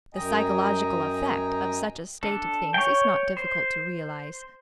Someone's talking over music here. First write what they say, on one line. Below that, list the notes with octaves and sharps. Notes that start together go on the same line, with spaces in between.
The psychological effect of such a state of things is not difficult to realize.
F#2 D#5 G5 G#5 A#5
D4 A4
C#5 G5
C5